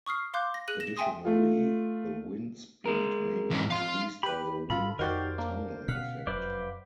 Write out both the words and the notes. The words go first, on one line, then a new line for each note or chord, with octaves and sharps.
Additionally, the wind speed may be increased by the wind tunnel effect.
C#6 D#6 F6 C7
F5 C6 D6 F#6 G6
A#6
G#4 F#6 D#7 F#7
A#6 E7
E5 G5 G#5 C6 D#6
A3 F4
G#3 A#4
E2 G#2
F2 F5 C6
G4 B4 B5
G#2 D3 G3 F4 A4 B5
F2 D#3 F#4 G4 A#4 C5 D5
A#3 D4
B2 D3 C#4 F5 F#5 B6
F1 F#2 B4 C5 D5